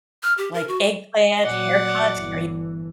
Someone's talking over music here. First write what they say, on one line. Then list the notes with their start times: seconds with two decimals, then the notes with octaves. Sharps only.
like eggplant, haircuts, kara
0.23 F6
0.38 G4
0.54 A#4
0.68 F#4
1.45 A#2 F#3 D5 F#5
2.15 G1 E3